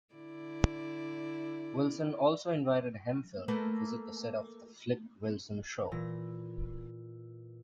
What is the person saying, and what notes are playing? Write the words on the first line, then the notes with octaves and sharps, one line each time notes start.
Wilson also invited Hemphill to visit the set of "The Flip Wilson Show".
D3 E4 D5
A3 A#3 B4
A#2 E3 A#6